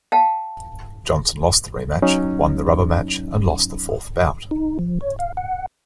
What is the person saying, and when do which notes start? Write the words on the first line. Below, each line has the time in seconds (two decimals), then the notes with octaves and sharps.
Johnson lost the rematch, won the rubber match and lost the fourth bout.
0.12 F5 G5 A5
2.02 F#3 C#4 D#4
4.51 D#4
4.79 F3
5.01 C#5
5.19 F5
5.37 F#5